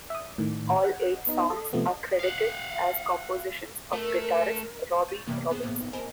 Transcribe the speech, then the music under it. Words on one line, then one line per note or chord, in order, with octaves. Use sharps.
All eight songs are credited as compositions of guitarist Robbie Robertson.
E5 D#6
A2 D#3
F#5
B3 D#4
A4
C3 F3 A3 B3
F5 F#5
A3 A#4
C#6 G6 A6 D#7
G2 C3 E3 A#3 B3
B3 G#4 C5
A2 A#3 B3
G#1
A#4 C5 D#5 G#5 A5 B5